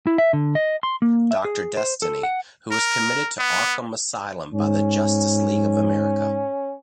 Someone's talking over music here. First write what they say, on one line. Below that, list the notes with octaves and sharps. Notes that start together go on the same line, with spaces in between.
Doctor Destiny, who was committed to Arkham Asylum by the Justice League of America.
E4
E5
D3
D#5
C6
A#3
E5
G#4
C5
A4
F#5
A#4
B3
G#2 C#4